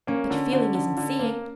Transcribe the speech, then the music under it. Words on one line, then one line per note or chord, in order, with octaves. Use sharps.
But feeling isn't seeing.
A#3 C#4
D3
D3
D3
D3
A#3